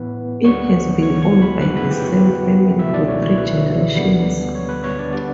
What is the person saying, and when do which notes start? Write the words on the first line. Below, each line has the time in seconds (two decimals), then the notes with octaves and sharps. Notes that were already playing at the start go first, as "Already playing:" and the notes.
It has been owned by the same family for three generations.
Already playing: A2 E3 B3 B4
0.44 D2 D3 G3 B3 C#5 C#6
1.02 C#5 C#6
1.22 C#5 C#6
1.42 B4 B5
1.61 F#2 C#3 E3 B3 B4 B5
1.76 B4 B5
1.90 G4 G5
2.05 F#4 F#5
2.78 C#2 B2 A3 E4 E5
2.93 D4 D5
3.08 C#5
3.22 C#5
3.38 B4
3.96 D2 D3 G3 B3
4.55 C#5
4.69 B4
4.84 C#5
4.99 D4 D5
5.12 D3 G3 B3 D4 D5